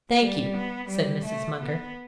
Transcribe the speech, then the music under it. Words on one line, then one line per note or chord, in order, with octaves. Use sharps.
"Thank you," said Mrs. Munger.
G3
B3
G3
A3
B3